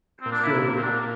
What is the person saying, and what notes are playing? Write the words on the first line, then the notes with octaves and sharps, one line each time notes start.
so I
A#2 C4
D4
E4
C4
D4